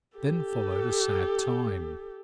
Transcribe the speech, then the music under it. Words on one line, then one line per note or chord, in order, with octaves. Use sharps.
Then followed a sad time.
G4 A4